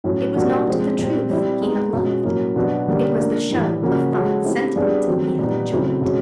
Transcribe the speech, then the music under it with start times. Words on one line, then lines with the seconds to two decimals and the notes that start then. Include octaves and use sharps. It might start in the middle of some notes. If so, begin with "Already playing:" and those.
It was not the truth he had loved; it was the show of fine sentiment he had enjoyed.
0.04 A2 F#3 A3 C#4
0.36 B2 G3 A#3 D4 F#4
0.68 F3 G#3 C4
0.99 A#2 G3 C4
1.30 G3 C4 E4
1.62 G#3 B3 D#4
1.93 B2 G#3 C#4 F4
2.24 A2 F#3 A#3 C#4
2.56 B2 F#3 B3 D4 F#4
2.88 D3 G3 A#3 C#4
3.19 A#3 D4 F4
3.50 A2 E3 G3
3.82 C#3 F3 A#3 C#4 F#4
4.12 G#3 C#4 F#4 A4 C#5
4.44 A3 C4 E4 G4
4.76 G3 B3 D4 F4 G#4
5.07 D#3 F#3 A3 C4
5.39 A#2 G3 B3 D#4
5.70 C#3 F#3 A3 C4 E4
6.02 B2 G#3 C#4